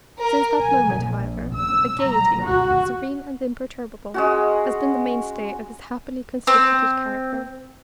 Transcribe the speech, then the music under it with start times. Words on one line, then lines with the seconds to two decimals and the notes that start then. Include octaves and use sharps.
Since that moment, however, a gaiety, serene and imperturbable, has been the mainstay of his happily constituted character.
0.20 A#4
0.62 G#5
0.97 A#1
1.55 E6
2.03 A#5
2.45 F#4
4.14 G#3 C#4 F#4
6.47 C4